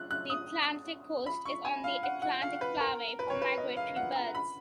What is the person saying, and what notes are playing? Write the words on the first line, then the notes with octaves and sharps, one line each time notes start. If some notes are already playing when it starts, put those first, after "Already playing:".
The Atlantic coast is on the Atlantic Flyway for migratory birds.
Already playing: F#6
F#6
D#6
B5
C#6
G#5
F5
F#5
F#5
F5
B4
A#4
B4
C#5
B4
D#5
F5
F#5
A#5
B5